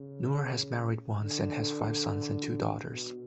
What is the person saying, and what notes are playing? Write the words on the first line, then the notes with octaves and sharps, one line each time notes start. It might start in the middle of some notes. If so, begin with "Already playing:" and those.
Noor has married once and has five sons and two daughters.
Already playing: C#3
D3
B2